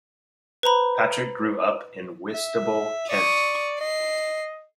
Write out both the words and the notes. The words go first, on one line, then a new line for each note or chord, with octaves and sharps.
Patrick grew up in Whitstable, Kent.
B4 C5 A#5 B5
E5
D5 C#6 D#6
D#5 C7